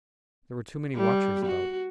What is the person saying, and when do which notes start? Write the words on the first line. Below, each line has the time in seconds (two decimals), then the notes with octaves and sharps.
There were too many watchers about.
0.95 G3
1.45 F#4